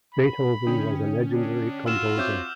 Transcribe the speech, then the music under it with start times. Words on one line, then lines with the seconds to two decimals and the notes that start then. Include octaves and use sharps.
Beethoven was a legendary composer.
0.14 B5
0.67 D3 C#4 G5 D#6
1.32 D4
1.86 F4 F#4 E6 F6 E7
2.18 C4 C#5 E5 D6 G6 E7